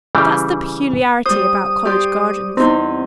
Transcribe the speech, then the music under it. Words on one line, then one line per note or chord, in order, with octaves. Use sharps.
That's the peculiarity about college gardens.
C#3 E3 G3
G3 C5 D#6
G4 D5 C6
E2 C4 D#4